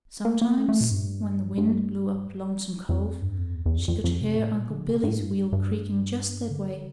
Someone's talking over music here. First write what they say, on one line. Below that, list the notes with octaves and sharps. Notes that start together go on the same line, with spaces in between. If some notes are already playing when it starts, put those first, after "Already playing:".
Sometimes, when the wind blew up Lonesome Cove, she could hear Uncle Billy's wheel creaking just that way.
A#3
A#3
A3
A3
A#2
G2
G2
F2
G2
F2
E2
E2
F2
F2
F2
C3
A2
A#2
D3
C3
G2
A2
G2
G2
D3